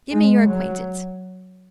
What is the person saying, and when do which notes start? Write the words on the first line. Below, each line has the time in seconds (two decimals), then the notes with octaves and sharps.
Give me your acquaintance.'
0.12 G#3
0.48 F#3